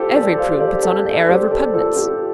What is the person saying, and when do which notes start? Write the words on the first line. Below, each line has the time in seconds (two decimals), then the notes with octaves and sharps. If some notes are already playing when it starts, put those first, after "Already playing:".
Every prude puts on an air of repugnance.
Already playing: F4 G4 A4 C5
0.15 A4 D5
0.38 C5 F5
0.60 A4 D5
0.83 A4 D5
1.05 A4 D5
1.28 G4 C5
1.51 A4 D5
1.73 F4 A4
1.97 G4